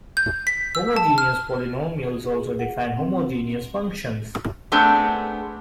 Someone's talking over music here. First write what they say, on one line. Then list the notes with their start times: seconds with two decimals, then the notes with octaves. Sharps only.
Homogeneous polynomials also define homogeneous functions.
0.17 G6
0.47 B6
0.75 E6
0.96 A5
1.18 F6
2.03 G#4
2.59 F#5
2.97 C4
4.72 A3 B3 C4 D4 G#4